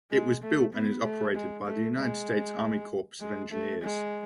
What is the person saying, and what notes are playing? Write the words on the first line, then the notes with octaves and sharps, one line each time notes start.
It was built and is operated by the United States Army Corps of Engineers.
G#3
A3
B3
A3
G#3
A3
G#3
G#3
A3
G#3